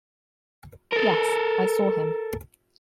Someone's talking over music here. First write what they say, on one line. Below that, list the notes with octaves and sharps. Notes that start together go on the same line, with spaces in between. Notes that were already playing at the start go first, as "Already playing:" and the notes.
Yes, I saw him.
A4 A#4